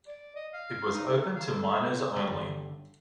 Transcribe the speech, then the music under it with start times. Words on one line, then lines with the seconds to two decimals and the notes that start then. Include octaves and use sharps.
It was open to miners only.
0.07 D5
0.36 D#5
0.53 F5
0.93 D#4
1.07 A4
1.35 F5
1.50 A4
2.16 G1 D3 G3 A4 C#5